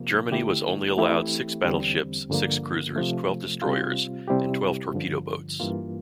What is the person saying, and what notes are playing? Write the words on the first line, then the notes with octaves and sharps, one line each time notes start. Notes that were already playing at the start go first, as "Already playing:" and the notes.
Germany was only allowed six battleships, six cruisers, twelve destroyers, and twelve torpedo boats.
Already playing: C3 F3 A#3 F4
D3 A3 E4 G4
E3 A3 C4 E4 G4
E2 D3 G3 C4
G2 D3 F3 A#3
C3 F3 A3
C3 G3 C4 F4
C3 G3 C4 E4 G4
G2 D3 F3
G2 E3 A#3 F4